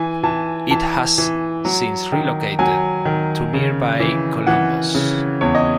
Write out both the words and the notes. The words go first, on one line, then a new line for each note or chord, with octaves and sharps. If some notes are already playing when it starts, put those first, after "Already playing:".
It has since relocated to nearby Columbus.
Already playing: E3 G#5
E3 A5
E3 A5
E3
F#3
D#3
F#3 G#5
D#3
C#3
E3
E3 F#5
C#3
E2 C#5
D#5